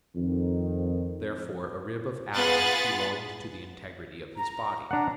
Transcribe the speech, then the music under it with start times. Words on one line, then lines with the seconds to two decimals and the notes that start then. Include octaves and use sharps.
Therefore a rib of Adam belonged to the integrity of his body.
0.15 F2 D#3
2.34 B3 F4 G#4 F#6 A6
4.37 A#5
4.91 D4 F#5 A#5